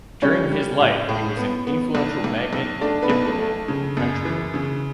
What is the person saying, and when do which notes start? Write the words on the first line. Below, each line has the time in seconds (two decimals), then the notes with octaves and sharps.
During his life he was an influential magnate and diplomat in the country.
0.22 G3 C#4 C#5
0.52 G3
0.80 A2
1.09 A2
1.37 B3
1.67 B3
1.95 B1
2.24 B1
2.53 B1
2.81 A3 D4 D5
3.02 B3 B4
3.10 B1
3.25 A3 A4
3.38 A3
3.68 C#3
3.97 F#2
4.25 E3
4.54 C#3